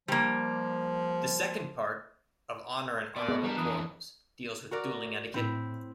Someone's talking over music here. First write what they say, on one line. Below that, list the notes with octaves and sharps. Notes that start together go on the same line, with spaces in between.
The second part, "Of Honor and Honorable Quarrels"," deals with dueling etiquette".
F3 G3 A#3
B2 D5
B3 G#4 D#5 E5
G3 D4 A#4
F2 E3 B5 D#6 F#6
F#4 A#4 D5
A2 C4 E4